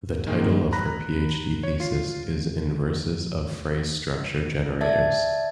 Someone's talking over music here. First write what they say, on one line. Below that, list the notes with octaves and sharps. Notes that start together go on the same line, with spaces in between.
The title of her PhD thesis is "Inverses of Phrase Structure Generators".
D#3 G#3 A#3
A#5 B5 F#6 A#6
C#5
F4 C7
D5 E5 A5 G#6 A6